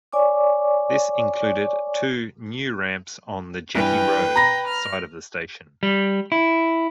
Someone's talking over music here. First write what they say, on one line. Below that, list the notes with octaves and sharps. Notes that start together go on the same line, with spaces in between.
This included two new ramps on the Jetty Road side of the station.
C#5 D5 G#5 C#6 D6
G2 E3 B4 G5
A#5 B5 A#6
F6
G3
E4